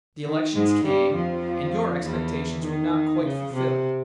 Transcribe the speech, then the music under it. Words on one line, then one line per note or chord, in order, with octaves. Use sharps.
The elections came, and your expectations were not quite fulfilled.
D#3
G#2 G#3
G2 G3
F2 F3
E2 E3
D#3
C#3
C3